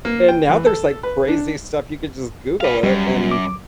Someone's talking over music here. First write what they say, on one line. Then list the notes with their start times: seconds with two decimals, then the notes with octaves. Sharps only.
and now there's, like, crazy stuff, you could just Google it and,
0.05 A#3
0.28 G5
0.50 E3
0.66 A4
1.03 B4
1.28 D4
2.61 B4 F5
2.83 F#2 G3
3.31 D6